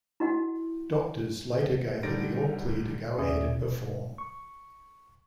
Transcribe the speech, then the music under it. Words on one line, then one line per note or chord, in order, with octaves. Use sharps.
Doctors later gave her the all clear to go ahead and perform.
E4 F#4 D#5 F#5
D3 G3 D#4 A6 A#6 D7
D#2 C#4 G#4 D5 E5 D#6
B2
C#6